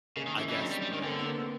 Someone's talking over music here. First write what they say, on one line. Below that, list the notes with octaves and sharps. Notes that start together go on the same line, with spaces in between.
I guess, the the
C#3 G#3 A#3
D#3
E3 C#4 D#4
E3
G3
F#3 C4 D4
G3
G3
D#3
C#4
D3 A#3 C4
B3
A#3 C4